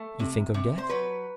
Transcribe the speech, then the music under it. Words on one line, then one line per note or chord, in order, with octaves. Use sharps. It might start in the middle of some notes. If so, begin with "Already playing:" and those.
"You think of death?"
Already playing: A3
C3
C3
C5
F#3 B4